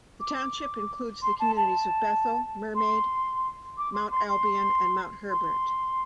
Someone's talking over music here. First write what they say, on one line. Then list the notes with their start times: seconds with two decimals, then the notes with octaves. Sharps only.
The township includes the communities of Bethel, Mermaid, Mount Albion and Mount Herbert.
0.20 D6
1.22 C6
1.39 A5
1.57 A5
2.75 C6
3.78 D6
3.94 C6
4.11 C6
4.28 C6
5.30 C6